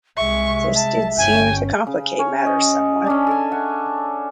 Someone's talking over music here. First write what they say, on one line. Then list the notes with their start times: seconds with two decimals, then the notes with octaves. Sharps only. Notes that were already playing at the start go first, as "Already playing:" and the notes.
This did seem to complicate matters somewhat.
0.17 C2 G#3 E5 C#6
0.76 A5
1.18 G1 C#4 G5 G#5
1.87 C#3
2.19 C#4 C#5
2.46 D#5
3.07 C#4 D4
3.27 A4 G#5
3.51 E5 F#5